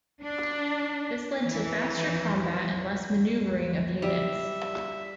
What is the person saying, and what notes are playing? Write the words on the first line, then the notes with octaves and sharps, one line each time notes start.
This led to faster combat and less maneuvering of units.
D4
E3
G3 E5